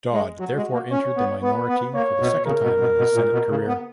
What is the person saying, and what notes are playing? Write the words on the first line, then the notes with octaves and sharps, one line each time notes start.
Dodd therefore entered the minority for the second time in his Senate career.
G#3
F#3 F#4
G#3
A#3
C#4 C#5
B3
B3 B4
B3
A#3 C#5
B2
C#3 A#4
B2
B2
B2
A#2
B2
C#3
B3